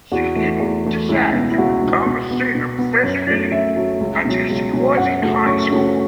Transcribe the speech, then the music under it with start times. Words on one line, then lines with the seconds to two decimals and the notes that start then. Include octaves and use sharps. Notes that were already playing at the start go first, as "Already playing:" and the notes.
She didn't decide to become a singer professionally until she was in high school.
0.12 E2 F#4
0.36 E3 A3
0.60 E2
0.85 E3 A3
1.09 C#2 E4
1.33 B2 B3
1.51 E4
1.58 C#2 F#4
1.82 B2 B3
2.06 B2
2.31 B3
2.55 B2
2.79 B3
3.03 F#2
3.27 F#3 A3
3.52 F#2 E5
3.76 F#3 A3
4.00 C#2
4.25 B2 F#3
4.49 C#2
4.73 B2 F#3
4.97 F#2 F#5
5.22 C#3 F#3 A3
5.46 F#2 C#6
5.71 C#3 F#3 A3